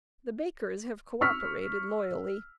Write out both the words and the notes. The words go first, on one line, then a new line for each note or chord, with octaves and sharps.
The bakers have co-operated loyally.
C#6 E6 F6 B6